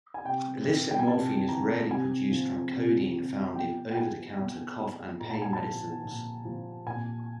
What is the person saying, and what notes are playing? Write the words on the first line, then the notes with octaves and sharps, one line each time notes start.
Illicit morphine is rarely produced from codeine found in over-the-counter cough and pain medicines.
G#5
C3 G5
E3
G5
G#5
C3 A5
E3 A#5
C3 G#5
F3
C3
F3
B2 G5
G5
F#3 G#5
B2
F#3
A#2 A#5
A5
G#5
A5
F3
A#2
F3
A#2 G#5